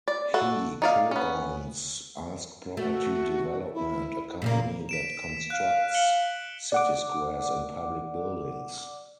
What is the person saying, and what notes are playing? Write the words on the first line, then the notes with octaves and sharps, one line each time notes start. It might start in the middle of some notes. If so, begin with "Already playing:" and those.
He co-owns Ask Property Development, a company that constructs city squares and public buildings.
D5
F#4 A4
D#4 D5 F5
B3 C#4
A3 F#4
E4
A#2 C#3 A#3
B6 D7 E7
F5 F#6
C#7 F#7 G7
D5 F#5 D6